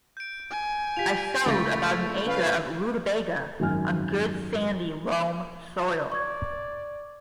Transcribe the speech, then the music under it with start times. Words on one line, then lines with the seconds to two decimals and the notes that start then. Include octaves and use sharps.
I sowed about an acre of rutabaga on good sandy loam soil.
0.17 G6 D7
0.51 G#5
0.97 F4 G4 B6 F7
1.46 C#2 A3 C#6 A6 A#6
2.26 C#3 B4 F5
3.60 G#1 F#2 G#5 F6
6.12 D5 C#6 G#6